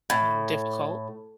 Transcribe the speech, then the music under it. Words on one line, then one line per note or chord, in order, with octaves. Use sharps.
you know, difficult.
A2